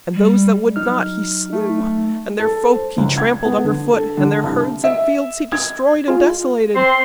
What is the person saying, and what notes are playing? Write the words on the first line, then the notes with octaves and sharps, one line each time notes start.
And those that would not he slew, and their folk he trampled underfoot, and their herds and fields he destroyed and desolated.
G3
F#3 D#4 F6
A3
A4
C5
C#2
G#6
B3
D3
A4
D3
C2
E5
G#6
G#3 F4
C4 C6